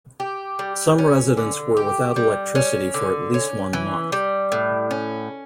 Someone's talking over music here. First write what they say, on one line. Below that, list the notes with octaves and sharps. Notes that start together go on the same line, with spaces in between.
Some residents were without electricity for at least one month.
G4
G3
C#4
D3
G4
G3
C#4
D3
C#4
E3
G3
A2
C#4